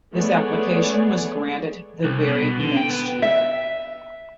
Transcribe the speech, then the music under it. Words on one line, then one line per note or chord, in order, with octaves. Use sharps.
This application was granted the very next year.
G#3 A3 B3 G#4 C#5 D5
C2
B2
D3
G5
B3
E5